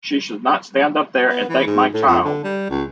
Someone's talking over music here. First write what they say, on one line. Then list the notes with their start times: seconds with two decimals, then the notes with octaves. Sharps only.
She should not stand up there and thank my child.
1.30 B3
1.49 E3
1.67 G#2
1.94 A2
2.07 F2
2.24 D3
2.44 G3
2.70 C#2